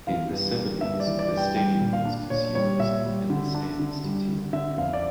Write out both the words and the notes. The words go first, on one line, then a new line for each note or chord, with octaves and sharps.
In the seventies the stadium was disused, and the stands deteriorated.
E3 F5
G2
A#3
G2 E5
D5
E3
D5
G2
G5
G3 G5
A#2
F5
D4
A#2 C#5
G3 C#5
A#2 E5
G3
D3
D4
D3
G3
D3
D3 E5
F2 F5
D5